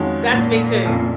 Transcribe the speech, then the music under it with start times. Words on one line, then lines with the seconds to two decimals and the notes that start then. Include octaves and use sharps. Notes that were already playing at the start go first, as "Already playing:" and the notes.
That's me too.
Already playing: F2 D#3 G#3 C#4 F#4
0.30 A#2
0.85 F1 F2 C#3